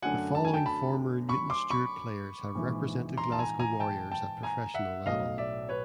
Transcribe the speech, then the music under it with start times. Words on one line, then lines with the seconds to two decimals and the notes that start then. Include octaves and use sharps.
The following former Newton Stewart players have represented Glasgow Warriors at professional level.
0.02 F#2 D3 F#3 A3 D4 F#5 G#5
0.35 A5
0.45 G#5
0.54 G5 A5
0.66 A5 B5
1.29 B5 C#6
1.50 C6 D6
1.70 B5 C#6
2.55 A#1 G#2 E3 G#3
3.17 A#5 C6
3.32 A5
3.39 G#5 A#5
3.59 G#5 A#5
3.80 G5 A5
4.11 G5 A5
4.43 G#5 A#5
4.74 E5 F#5
5.06 B1 A2 F#3 D#5 F5
5.38 D5 E5
5.69 B4 C#5